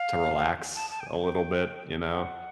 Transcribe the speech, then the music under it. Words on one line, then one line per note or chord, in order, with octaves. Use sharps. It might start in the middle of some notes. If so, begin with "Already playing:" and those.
to relax a little bit, you know?
Already playing: F5
A5
A5
G5
G#5
G5
F#5